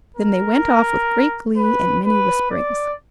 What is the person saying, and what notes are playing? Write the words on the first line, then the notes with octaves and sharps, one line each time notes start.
Then they went off with great glee and many whisperings.
A#4
B4
B4
D5